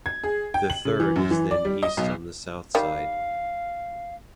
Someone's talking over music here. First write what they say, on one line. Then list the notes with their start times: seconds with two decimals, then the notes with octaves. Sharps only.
The third is then east on the south side.
0.06 G#6
0.24 G#4
0.54 G5
0.70 F#7
0.85 C#3
1.00 E3
1.16 F#2
1.31 E3
1.51 D5
1.65 G3
1.83 D#5
1.97 B1
2.75 D#3 G3 F5